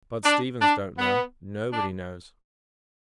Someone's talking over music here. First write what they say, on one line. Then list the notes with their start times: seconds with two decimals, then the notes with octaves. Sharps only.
Bud Stevens don't know--nobody knows.
0.24 D4
0.61 D4
0.98 B3
1.73 D4